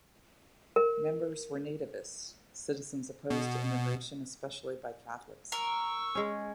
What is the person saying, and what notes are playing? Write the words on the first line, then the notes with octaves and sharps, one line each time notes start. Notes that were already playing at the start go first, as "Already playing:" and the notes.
Members were Nativists, citizens opposed to immigration, especially by Catholics.
A#4
B2
A#4 C#6 E6
G#3 C#4